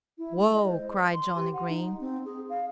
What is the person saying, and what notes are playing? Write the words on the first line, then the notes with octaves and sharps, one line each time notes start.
"Whoa!" cried Johnnie Green.
E4
G#3
D#5
C5
C6
G4
F#5
D#4
C4
G#4
F5